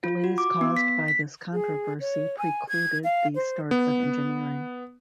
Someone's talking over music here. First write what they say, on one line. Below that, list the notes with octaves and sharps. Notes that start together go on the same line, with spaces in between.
Delays caused by this controversy precluded the start of engineering.
F4
F#4
D6
B3
B6
B6
G#4
C#5
G#5
G#6
F5
C5
B3